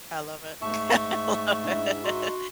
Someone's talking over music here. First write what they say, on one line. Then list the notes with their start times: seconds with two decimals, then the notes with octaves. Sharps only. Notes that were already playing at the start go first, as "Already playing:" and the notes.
I love it. I love it.
0.62 G#2 A3 E5 A5 C#6
1.63 G#3 D4 E4
2.04 D#4 F#4 C6